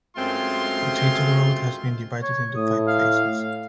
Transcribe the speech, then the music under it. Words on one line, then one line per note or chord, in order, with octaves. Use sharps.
Potato growth has been divided into five phases.
F#2 G#3 A3 C4 F4 C6
C#5
A2 D#6
F5